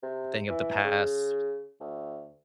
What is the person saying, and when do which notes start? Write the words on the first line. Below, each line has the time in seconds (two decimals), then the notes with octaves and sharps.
thing of the past.
0.03 C3
0.49 E3
0.84 C#3
1.81 D2